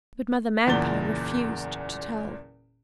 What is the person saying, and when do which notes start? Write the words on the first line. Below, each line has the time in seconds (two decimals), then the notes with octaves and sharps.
But Mother Magpie refused to tell.
0.67 F#1 E2 A#2 A6 G7